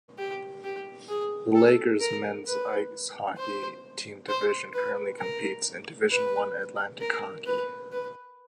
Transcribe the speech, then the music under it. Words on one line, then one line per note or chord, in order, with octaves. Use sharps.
The Lakers men's ice hockey team currently competes in Division One Atlantic Hockey.
G4
G4
G#4
A4
A#4
B4
C5
C5
B4
A#4
B4
A#4
B4
B4